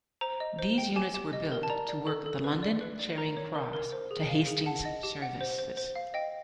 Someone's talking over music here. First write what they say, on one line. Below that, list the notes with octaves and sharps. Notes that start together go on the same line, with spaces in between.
These units were built to work the London Charing Cross to Hastings services.
C5 A#5
D#5
C5
G5
G4 G#5
G4
D#5
A#4
A5
D5 A#5
D5
A4
A4
B4
D5
B4
D5
A#4 A#5
C#5
A#4
A#4
C5
G#4
F5
G#4
F#5 A5
D#5
G4
F#5
C5
C5
C5
F5
D#5 G5